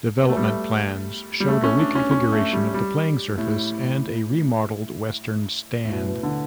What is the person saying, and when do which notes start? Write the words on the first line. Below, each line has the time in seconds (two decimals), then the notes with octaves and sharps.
Development plans showed a reconfiguration of the playing surface and a remodelled western stand.
0.21 B3
0.29 A3
0.36 G3
0.44 A3
1.40 G3
1.48 A3
1.64 C#4
1.79 D4
1.95 C#4
2.11 C#4
2.32 A3
2.53 G3
2.74 G3
3.38 A2
5.85 A2
5.92 B2
6.07 B2
6.23 D3